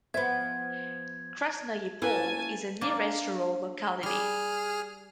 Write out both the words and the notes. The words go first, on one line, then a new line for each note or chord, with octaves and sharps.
Krasnoye Pole is the nearest rural locality.
F3 B3 E5 G#6
A#3 C#4 E4 B4 G#5 A5
A#3 D4 A4
G3 G#4 F6